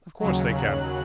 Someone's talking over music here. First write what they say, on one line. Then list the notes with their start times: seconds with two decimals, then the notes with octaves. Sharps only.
Of course they can.
0.19 D#2 C#3 F#3
0.56 F#6